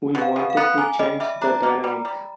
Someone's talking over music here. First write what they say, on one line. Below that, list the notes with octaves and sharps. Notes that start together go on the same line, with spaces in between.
We wanted to change the dynamic.
B2
F5
B2
F5
B3
A#3 G#5
G3 D#5
G3 E5
D4 A#5
A#3
G3
G3